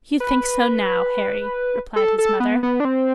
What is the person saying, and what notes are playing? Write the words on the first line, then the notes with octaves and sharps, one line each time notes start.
'You think so now, Harry,' replied his mother.
B4
A4
A4
B3
B3
D4
C4